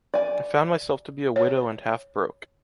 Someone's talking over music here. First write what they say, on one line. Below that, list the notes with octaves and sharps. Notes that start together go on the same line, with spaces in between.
I found myself to be a widow and half broke.
D5 G#5
C#5